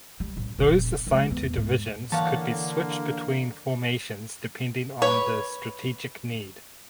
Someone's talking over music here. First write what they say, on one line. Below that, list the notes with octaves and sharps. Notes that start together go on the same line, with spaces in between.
Those assigned to divisions could be switched between formations depending on the strategic need.
G3
A1
E1 A#1
F3 G#3
E2
G#2
D3 E3 A#3 C#5 F5 F#5 A5
B4 C#5